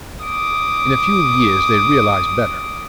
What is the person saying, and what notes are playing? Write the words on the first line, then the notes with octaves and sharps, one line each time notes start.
In a few, years they realised better.
D6 D#6